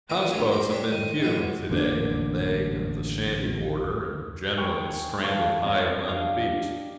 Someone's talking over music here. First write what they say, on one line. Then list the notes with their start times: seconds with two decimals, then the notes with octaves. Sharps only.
Houseboats have been few, to-day, and they of the shanty order and generally stranded high upon the beach.
0.10 E2 A#2 D#3 A#4 D6
0.32 G2 A3 F4 C#5
0.52 C5 A#5 B5
0.69 D4 G4 C#5 A5
0.91 D#3
1.22 C3 E3 F#3 G#3
1.70 A1 D3 A#3 D4
4.58 G#4 G5 C#6
5.25 E3 G4 A4 F5 C#6
5.65 C4 C#5 D#5
6.08 D4 G4 D#5 F5 F6